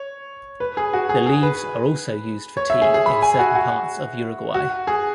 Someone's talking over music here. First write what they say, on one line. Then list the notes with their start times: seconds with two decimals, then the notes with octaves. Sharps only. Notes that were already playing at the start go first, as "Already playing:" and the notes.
The leaves are also used for tea in certain parts of Uruguay.
Already playing: C#5
0.60 B4
0.77 G#4
0.93 F#4
1.09 G#4
1.26 G#4
1.43 B4
2.57 C#5
2.70 E5
2.82 G#4
2.94 G#4
3.06 B5
3.22 G#5
3.39 F#4
3.55 F#4
4.54 F#4
4.87 G#4